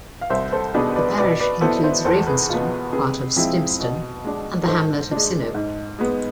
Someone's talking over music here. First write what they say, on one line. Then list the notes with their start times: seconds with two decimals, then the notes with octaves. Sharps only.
The parish includes Ravenstone, part of Snibston and the hamlet of Sinope.
0.21 F5
0.30 C2 C5 E5
0.52 A4 C5
0.74 B2 B3 D4 G#4 B4
0.96 B4 D5
1.18 B2 B4 D5
1.40 B4 D5
1.61 B3 E4 A4 C5
1.83 C5 E5
2.05 E2 A4 C5
2.27 G#4 B4
2.50 B2 B3 F4
2.93 C3 G#4 B4
3.36 F3 G#3 C4 E4
3.80 B2
4.24 G#3 D4
4.67 G#2 A4 C5
5.11 G#3 D4
5.55 G#2
5.99 G#3 B3